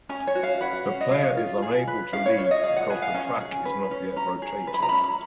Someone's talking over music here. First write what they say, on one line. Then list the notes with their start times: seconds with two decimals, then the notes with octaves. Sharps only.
The player is unable to leave because the track is not yet rotated.
0.09 C#4 G#5
0.27 C#5
0.35 F#4
0.43 F5
0.61 B4 F#5
0.86 C#4
1.01 D#5
1.11 C#4 F5
1.37 F4
1.62 G#4
1.88 B4
2.13 C#4 F5
2.26 C#5
2.38 F4 C#5
2.51 D#5
2.63 G#4 F5
2.76 F#5
2.89 B4 G#5
3.02 F5
3.14 C#4 G#5
3.40 G#4
3.65 B4
3.91 C#4
4.16 C#4 A#5
4.42 G#4
4.67 B4
4.74 B5
4.82 A#5
4.89 C#4 B5